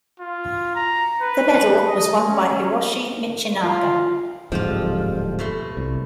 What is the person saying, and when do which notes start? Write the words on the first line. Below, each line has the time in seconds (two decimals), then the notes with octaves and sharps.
The medal was won by Hiroshi Michinaga.
0.20 F4
0.75 A#5
1.22 B4
1.88 D#5
2.25 C#4
3.64 F4
4.52 D1 F2 G#2 F3 G3 F4
5.39 B2 A3 C6
5.77 C2